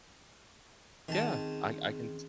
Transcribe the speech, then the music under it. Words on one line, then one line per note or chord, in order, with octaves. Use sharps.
Yeah, I I can
D#3 C4 C#4 G#4 A5